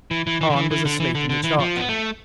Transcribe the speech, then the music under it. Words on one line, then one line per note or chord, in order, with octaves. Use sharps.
Hahn was asleep in the chart room.
E3
E3
E3
D3
E3
E3
D3
E3
D3
D3
E3
F3
B3
A3